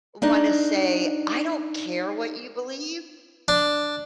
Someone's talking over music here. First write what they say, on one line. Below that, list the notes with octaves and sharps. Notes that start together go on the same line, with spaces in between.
wanna say, "I don't care what you believe."
D4 D#4 D5 D#5
D4